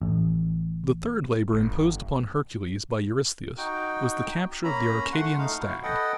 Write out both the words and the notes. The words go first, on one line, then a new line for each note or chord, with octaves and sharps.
The third labor imposed upon Hercules by Eurystheus was the capture of the Arcadian Stag.
A1
G1
D#4 F#4 G5
A#3 C#4 A#5 B5
A3 F#5 C6
A3 D#4 F5
E4 F#4
A4 B4 D#5 F#5 G5